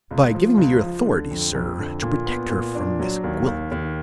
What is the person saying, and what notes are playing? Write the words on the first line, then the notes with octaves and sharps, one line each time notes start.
"By giving me your authority, sir, to protect her from Miss Gwilt."
C#2
F3
C#2
F3
D3
F2
F2
D3
A#2
B3
A#2
D4
F#3
D#2
D#2
D#2